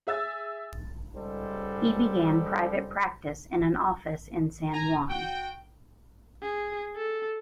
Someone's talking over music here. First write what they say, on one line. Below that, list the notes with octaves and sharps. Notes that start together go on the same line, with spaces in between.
He began private practice in an office in San Juan.
G#4 E5 E6 A6
C#2 G#2 G3 G#3 A4 C5
G#5 A#5
F#4 G5
G#4
A4